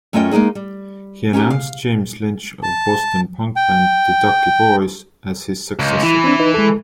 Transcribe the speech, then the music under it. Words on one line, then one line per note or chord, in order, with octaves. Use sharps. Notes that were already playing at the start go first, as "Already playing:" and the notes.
He announced James Lynch of Boston punk band The Ducky Boys as his successor.
F#2 A3 C#4 F4 D#5 G5
G#3 A#3 C#4 D#4 G#4
G3
C#4 D#4 F#4 G4
F5
A5
G5
C#2
E3 E4
C4 D4
D#4 B4
G#3 A4